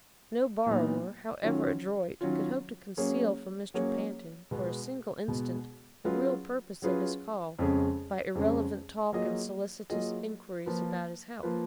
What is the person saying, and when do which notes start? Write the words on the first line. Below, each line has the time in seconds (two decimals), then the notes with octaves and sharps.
No borrower, however adroit, could hope to conceal from Mr. Pantin for a single instant the real purpose of his call by irrelevant talk and solicitous inquiries about his health.
0.66 A#2 F#3 B3 D#4
1.43 D#3 F#3 C#4 F4
2.21 D#3 F#3 C#4 F4
2.97 F#3 A#3 C#4 G#4 C#5
3.74 F#3 A#3 C#4 G#4 C#5
4.51 B2 G#3 B3
5.28 B2 G#3 B3
6.04 F#3 C#4 F4 G#4 B4
6.82 F#3 C#4 F4 G#4 B4
7.59 F2 C#3 G#3 C#4 G#4
8.35 F2 C#3 G#3 C#4 G#4
9.12 F#3 A#3 F4 G#4 D#5
9.90 F#3 A#3 F4 G#4 D#5
10.66 F3 A#3 F4 B4
11.43 F3 A#3 F4 B4